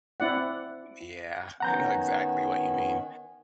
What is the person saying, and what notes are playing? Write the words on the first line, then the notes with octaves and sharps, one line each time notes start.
Yeah, I know exactly what you mean.
C4 E4 D5 F#5
D#3 B3 C#4 F#5 A#5 G6